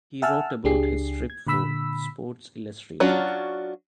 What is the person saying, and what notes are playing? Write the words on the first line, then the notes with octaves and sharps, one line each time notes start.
He wrote about his trip for "Sports Illustrated".
E5 F#5 G#5 A5 E6 F6
C#2 D4 G4 G#4 C7
G#6
A#2 D3 B5 E6 B6
F#3 C#4 D4 F4 F#4